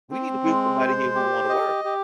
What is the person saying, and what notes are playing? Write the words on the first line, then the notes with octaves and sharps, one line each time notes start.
We need to bring somebody here who wanna work.
C4
G#3
C5
G4
D#5
G4